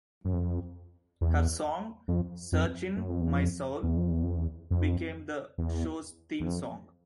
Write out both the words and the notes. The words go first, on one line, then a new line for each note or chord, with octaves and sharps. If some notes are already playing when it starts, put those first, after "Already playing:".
Her song "Searchin' My Soul" became the show's theme song.
F#2
F2
E2
F2
F2
F#2
F2
E2
F2
E2
F2
E2
F2
E2
F2
E2
E2
F2